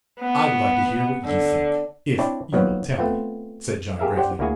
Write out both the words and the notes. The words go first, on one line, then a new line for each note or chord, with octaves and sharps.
"I would like to hear what you think, if you will tell me," said John, gravely.
B3
D3
C4 D4 E4 C#5 D5
D#3 F3 F#3 A#3 B3
A3 B3 C4 F4
G4 G#4 A#4 E5 F5
G4 C5 D5 F#5 G5
D2 A#3 E4 F#4 G#4 G#5